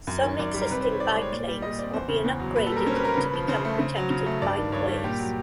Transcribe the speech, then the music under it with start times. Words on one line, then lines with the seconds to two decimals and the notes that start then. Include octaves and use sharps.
Some existing bike lanes are being upgraded to become protected bikeways.
0.07 F#2
0.23 D#3
0.39 F#2 D5
0.54 G3
0.62 A#4
0.70 C3 B4
0.81 D#3 C5
0.91 C#5
1.00 C4 D5
1.16 G#3
1.21 C#5
1.32 A#2 D5
1.47 G3
1.62 A#2 D#5
1.79 C4 D5
1.93 E2 C5
2.09 C#3
2.24 E2
2.40 F#3
2.56 A#2 B4
2.67 G3 A4
2.76 A#4
2.86 C#4 C5
2.96 B4
3.03 A#3 A#4
3.14 C#3 B4
3.33 F3
3.48 C#3 C5
3.65 A3
3.79 C#3
3.96 F#3
4.10 C#3
4.26 A3
4.42 G2 D5
4.57 D#3
4.72 G2 C#5
4.88 G3
5.04 A#2 G4
5.19 F#3